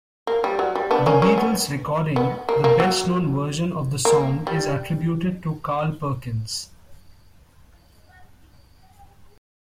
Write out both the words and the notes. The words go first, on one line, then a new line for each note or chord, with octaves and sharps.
The Beatles' recording, the best-known version of the song, is attributed to Carl Perkins.
A#3
G3
F#3
G3
B3 D4
A#3 C#4
A#3 C#4
B3
B3
A#3
A#3
F#3
A#3
G3